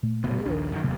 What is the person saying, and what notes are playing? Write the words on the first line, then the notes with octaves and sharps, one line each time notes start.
Oh, yeah.
A#2 A3
F#1 B2 B3
A#1 D#2 D4
F#2 D#3
F1 D#2 C3 F#3 B3